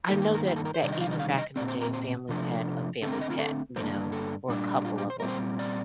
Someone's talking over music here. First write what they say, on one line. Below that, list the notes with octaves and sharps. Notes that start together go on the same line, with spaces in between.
I know that back even back in the day, families had a family pet, you know, or a couple of 'em.
G2 D#3 A#3 D#4 A4
G4
A#4
G4
A4
A#4
C5
C3 D#3 G3 D4 D5
D#5
F5
D#5
F5
D#5
A#2 F3 C4 D5
C5
A#4
C5
C3 F3 A3 D4
D3 A3 C4 A4
A#4
D#5
F4
A4
G2 D3 F3 A#3 D4 C5
A4
A#2 G3 D4
G4
F4
G4
C5
A#2 G3 C4 A#4
C5
D5